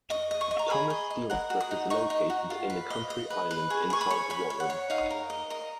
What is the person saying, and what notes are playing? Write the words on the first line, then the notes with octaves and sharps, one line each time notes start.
Thomas Steel Strip is located in a county island inside Warren.
D#5 C#6
D#5
C#6
D#5
A#5
G#4 B5
D#5
D#5
A#4 F#5
F#4
D#6
D#4
D#4 C#6
D#4
F#4
F4
B4
D#5
D#5
B4
B4
G#4 C#6
G#4 C#6
B5
C#5
C#5 B5
C#5
F#5
C#5
D#4 F5
A#4
D#5
A#4 D#5